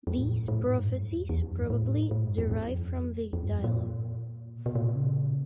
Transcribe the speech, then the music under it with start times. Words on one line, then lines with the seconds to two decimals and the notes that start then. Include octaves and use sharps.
These prophecies probably derive from the "Dialog".
0.07 F2
0.18 A2
0.28 A#2
0.38 A2
0.48 A2
0.62 G#2
0.75 G2
0.89 F#2
1.09 E2
1.29 E2
1.39 F2
1.50 F#2
1.60 G#2
1.70 A2
2.11 A2
2.24 G2
2.38 F2
2.51 F2
3.33 F2
3.43 G2
3.53 F2
3.64 A#2
4.55 B2
4.66 B2
4.75 A#2
4.96 C#3